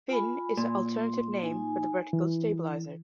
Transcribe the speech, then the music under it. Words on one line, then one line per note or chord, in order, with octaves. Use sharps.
Fin is an alternative name for the vertical stabilizer.
F4 G#5 B5
A#2 C6
D#4 G#5
E3